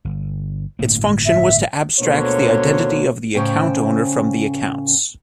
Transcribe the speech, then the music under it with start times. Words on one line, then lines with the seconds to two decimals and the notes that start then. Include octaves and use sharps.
Its function was to abstract the identity of the account owner from the accounts.
0.05 G1
0.79 G1 A2 A#3
1.26 E5
2.00 D2 B2 D3 A#3 C5 C#5
3.35 A2 C#3 C#4 C5 G5